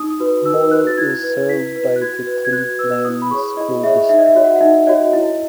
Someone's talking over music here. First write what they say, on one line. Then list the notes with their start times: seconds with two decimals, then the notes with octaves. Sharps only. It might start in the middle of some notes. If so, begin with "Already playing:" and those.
Boyle is served by the Cleveland School District.
Already playing: D#4 D#6
0.20 F#4 B4
0.46 D#4 E6
0.71 F#4 B4 F#6
0.87 A6
0.97 E4 G#6
1.23 B4
1.49 E4 B6
1.76 B4
1.96 F#6
2.01 F#4 G#6
2.27 B4
2.45 G#6
2.53 F#4 F#6
2.79 B4 E6
3.05 E4 D#6
3.22 B5
3.31 G#4 C#5 C#6
3.57 E4 D#5
3.83 G#4 C#5 E5
4.09 D#4 E5
4.19 D#5
4.26 E5
4.35 F#4 C#5
4.44 F#5
4.56 F#5
4.61 D#4 E5
4.87 F#4 C#5 D#5
5.13 E4